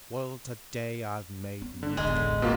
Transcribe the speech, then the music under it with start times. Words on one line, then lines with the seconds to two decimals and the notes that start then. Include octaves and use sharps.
Well, to-day I've made nothing.
1.61 B3
1.83 D3
1.97 E1 A1 G#3
2.42 B2 A#3 F4